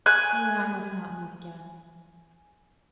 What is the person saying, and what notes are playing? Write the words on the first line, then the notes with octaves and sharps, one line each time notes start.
You and I must not meet again.
G#5 F#6